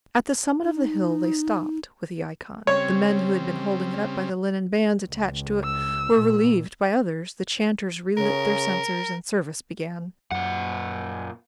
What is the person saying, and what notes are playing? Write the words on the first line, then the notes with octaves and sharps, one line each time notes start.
At the summit of the hill they stopped with the icon; the men who had been holding it up by the linen bands attached to it were relieved by others, the chanters relit their censers, and service began.
D#4
C#3 G3 C4 C#5
C#2
E6
A#2
C#3 A#4
F#2 A#2 F#5